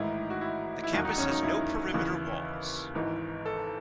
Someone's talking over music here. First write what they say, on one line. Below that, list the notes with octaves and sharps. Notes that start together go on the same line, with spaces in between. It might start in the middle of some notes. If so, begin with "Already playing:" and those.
The campus has no perimeter walls.
Already playing: A1 G#2 D#3 E4
F#4
E4
E4
E1 D#2 D#3 F#3 F#4
D#4
C#4
D#4
E4
D#2 C#3 E3
G#1 G#2 E3
A4